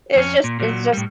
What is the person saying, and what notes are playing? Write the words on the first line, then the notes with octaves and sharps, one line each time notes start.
it's just it's just
F2 C#4
A#2
A#2 F#3
A2 G3